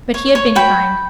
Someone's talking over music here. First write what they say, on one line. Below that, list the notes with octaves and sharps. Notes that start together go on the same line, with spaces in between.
But he had been kind.
C#5
C#5
F#4 G5 B5